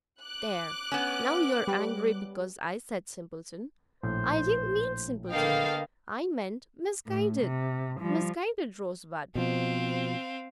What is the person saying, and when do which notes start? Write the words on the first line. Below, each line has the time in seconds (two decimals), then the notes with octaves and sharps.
There, now you are angry because I said simpleton!--I didn't mean simpleton, I meant misguided--misguided rosebud!
0.23 D6 F#6
0.92 B3 C#4
1.67 G3
4.03 A#1 A2 C5
5.31 D3 A#3 B3 A4 D#5 F5 G5
7.06 A2
7.41 C3
8.00 F3 G3
9.35 B2 F3 C4 F5